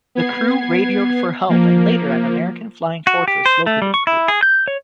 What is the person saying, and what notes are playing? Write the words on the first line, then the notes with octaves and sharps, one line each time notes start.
The crew radioed for help and later an American Flying Fortress located the crew.
B3 G#6 C7
F3 A#3
F#4
G4
C5
A3
G3
C#6
E4
G#4
G6
C#5